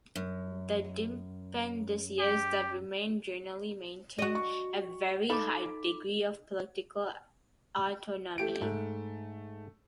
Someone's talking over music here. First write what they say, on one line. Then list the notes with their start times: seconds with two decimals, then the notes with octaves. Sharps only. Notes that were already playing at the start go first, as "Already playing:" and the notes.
The dependencies that remain generally maintain a very high degree of political autonomy.
0.16 F#2
2.19 G4
4.19 F#4 D#5
4.35 C#6
5.30 D#4 A4 F5 B5 D6
8.38 A3 G4 D7
8.61 G#2 A3